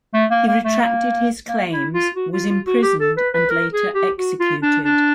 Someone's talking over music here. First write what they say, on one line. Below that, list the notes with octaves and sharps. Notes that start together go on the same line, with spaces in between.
He retracted his claims, was imprisoned and later executed.
A3
A#3
A#3
A3
A#3
A#3
E4
F4
F#4
F4
F4
F#4
G4
A4
B4
B4
A#4
G#4
G4
F#4
F4
D4
D4